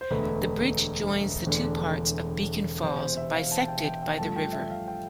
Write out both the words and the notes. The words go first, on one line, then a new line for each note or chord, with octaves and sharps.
The bridge joins the two parts of Beacon Falls bisected by the river.
C5
E1 D2 D3 A3 B4
E1 E2 D3 A3 D4
E1 E2 C3 C5
C5
E5
F5
A5
G5
G5
G5
G2 F3 A3 A5
G5
E5
F5
G5